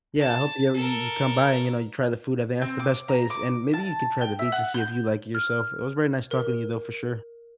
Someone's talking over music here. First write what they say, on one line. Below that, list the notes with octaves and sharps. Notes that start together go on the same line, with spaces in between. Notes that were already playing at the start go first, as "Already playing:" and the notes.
Yeah, I hope you ever you you come by, and, you know, you try the food. I think that's the best place, and, maybe, you can try the beach, and see if you like it yourself. It was very nice talking to you, though, for sure.
A5
A4 A#4
C4
D6
A#5
D6
A5
G5
E5
F#5
G6
F6
A#4